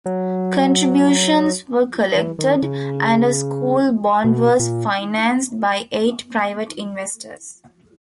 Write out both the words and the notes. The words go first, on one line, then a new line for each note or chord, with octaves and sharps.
Contributions were collected, and a school bond was financed by eight private investors.
F#3
E3
D#3
C#3
B2
A#2